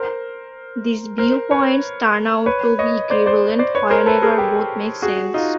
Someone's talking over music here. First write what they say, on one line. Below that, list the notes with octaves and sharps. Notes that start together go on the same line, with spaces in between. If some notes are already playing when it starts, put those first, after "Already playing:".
These viewpoints turn out to be equivalent whenever both make sense.
Already playing: A#4 C5
A#4 C5
B4 C#5
B4 C#5
C#5 D#5
C5 D5
C5 D5
C5 D5
B4 C#5
A#4 C5
A4 B4
G#4 A#4
G4 A4
F#4 G#4
D#4 F4